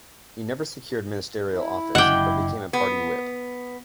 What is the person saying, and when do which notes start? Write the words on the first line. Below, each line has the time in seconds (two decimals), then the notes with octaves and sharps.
He never secured ministerial office, but became a party whip.
1.52 E4
1.95 F#1 D3 D#5 F#5 G5 D6
2.73 B3